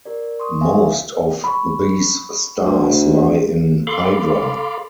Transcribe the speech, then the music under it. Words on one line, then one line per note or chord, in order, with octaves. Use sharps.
Most of these stars lie in Hydra.
G4 A#4 D5
C6 C#6 D#6
E5 F5 G#5
B5 C#6
D2
A4 F5 B5 C6 D6